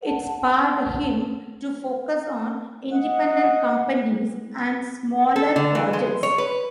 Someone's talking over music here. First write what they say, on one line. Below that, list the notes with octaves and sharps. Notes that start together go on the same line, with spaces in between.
It spurred him to focus on independent companies and smaller projects.
F#5 A5
D#5 F#5
A4
D3
E3
G#3
C#5
B4